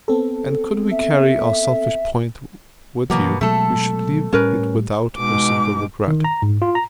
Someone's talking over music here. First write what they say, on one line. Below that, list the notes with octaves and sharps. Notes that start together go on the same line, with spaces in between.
And could we carry our selfish point with you, we should leave it without a single regret.
B3 C4 A4
E5
B2 E3 F#3 A#3 B3
B2 F#3 G#3 A3 A4
A2 G3 C#4 A#4 B4
B2 G#3 D#4 D6
D#3
A#5
G#2
F4
A#5